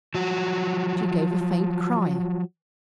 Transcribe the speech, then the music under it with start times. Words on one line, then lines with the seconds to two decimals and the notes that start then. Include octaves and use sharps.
She gave a faint cry.
0.14 F3 F#3 F#4